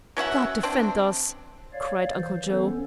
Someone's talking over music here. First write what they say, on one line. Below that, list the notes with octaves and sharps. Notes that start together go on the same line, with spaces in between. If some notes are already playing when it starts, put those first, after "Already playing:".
"God defend us!" cried Uncle Joe.
F#3 C#4 E5 F#5
C4 D4
C#5 D5 F5
E3 C5
B3 C#4 A4